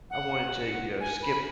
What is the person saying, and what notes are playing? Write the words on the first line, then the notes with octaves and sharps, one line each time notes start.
I wanted to, you know, skip,
F#5
G#5
B5